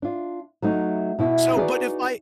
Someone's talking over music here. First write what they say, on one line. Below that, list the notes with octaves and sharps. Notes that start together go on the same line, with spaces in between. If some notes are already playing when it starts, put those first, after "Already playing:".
So, but if I
D4 F4
F#3 A3 D#4
B2 E4
D#4 F#4 G#4 B4 D5